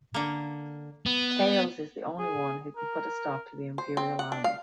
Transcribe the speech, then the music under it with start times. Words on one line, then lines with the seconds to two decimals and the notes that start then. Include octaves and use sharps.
Tails is the only one who can put a stop to the imperial army.
0.14 D3 A#3
1.06 B3
2.19 G#4
2.77 A#4
3.78 C5
3.97 C4
4.19 F#5
4.32 D4
4.44 F5